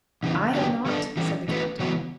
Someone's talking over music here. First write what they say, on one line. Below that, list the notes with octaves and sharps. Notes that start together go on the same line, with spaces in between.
"I have not," said the Captain.
E2 C#3 E3
D3 F#3 B3 D4 G4
G3 B3 D4 A4
E3 G3 C#4
E3 A3 C#4 F#4 B4
C#3 E3 B3 F#4 C#5